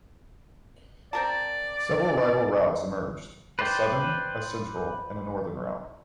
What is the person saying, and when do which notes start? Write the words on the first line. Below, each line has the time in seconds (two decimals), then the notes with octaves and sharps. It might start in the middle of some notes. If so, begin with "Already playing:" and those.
Several rival routes emerged: a southern, a central, and a northern route.
1.13 C4 A#4 D5 A5
3.59 B4 C5 D5 G5